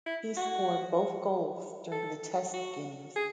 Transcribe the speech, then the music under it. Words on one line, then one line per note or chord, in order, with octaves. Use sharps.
He scored both goals during the test games.
E4
F#4
A4
F#4
G#4